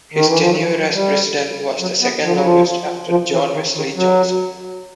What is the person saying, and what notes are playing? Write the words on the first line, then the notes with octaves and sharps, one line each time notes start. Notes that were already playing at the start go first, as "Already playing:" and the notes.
His tenure as president was the second-longest after John Wesley Johnson.
D#3
E3
F3
F#3
E3
F3
F#3
G3
F#3
B3
F3
F#3
F3
F3
E3
D#3
D#3
F#3